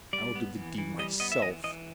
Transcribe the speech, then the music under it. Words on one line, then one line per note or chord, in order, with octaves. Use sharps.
"I'll do the deed myself."
G3 D5
B3
E3
E3
G3 D#5
B3 D#5
E5
E3 D#5
E3 D#5